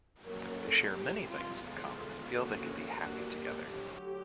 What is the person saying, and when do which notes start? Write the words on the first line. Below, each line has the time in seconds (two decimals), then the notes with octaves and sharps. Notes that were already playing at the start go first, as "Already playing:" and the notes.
They share many things in common and feel they could be happy together.
0.25 F#3 A#3 C#4 A#4
0.59 A4
0.93 G3 C4 G4
1.28 F4
1.63 D3 F3 G#3 B3 F4
2.32 D3 F3 A#3 C#4 F#4
3.01 G3 A#3 D4 F#4
3.36 G4
3.70 D3 F#3 A3 G4